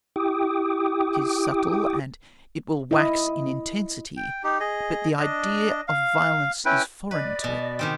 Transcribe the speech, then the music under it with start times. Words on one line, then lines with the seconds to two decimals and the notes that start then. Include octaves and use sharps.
It is subtle, and it will wax in intensity, but the idea of violence is foreign to it.
0.16 E4 G4 G5 D6 D#6
2.91 E4 D#5
4.17 G5
4.44 D#4 G4
4.60 G#4 D#5
5.19 D4 D#5
5.88 F5
6.65 C#4 E4 B4 G5
7.11 B4 D5 D#5
7.44 B2
7.79 C3 D#3 C4